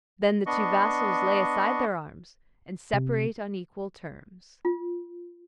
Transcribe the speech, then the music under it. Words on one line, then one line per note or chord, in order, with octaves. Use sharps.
Then the two vassals lay aside their arms and separate on equal terms.
B3 D4 D#5 C#6
C3
F4